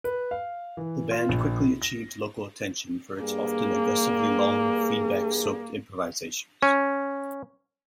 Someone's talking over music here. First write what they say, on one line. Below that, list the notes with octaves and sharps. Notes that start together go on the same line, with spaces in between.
The band quickly achieved local attention for its often aggressively long, feedback-soaked improvisations.
B4
F5
E3
F4
A#1
A#6
G2 A#3 G#4
C#4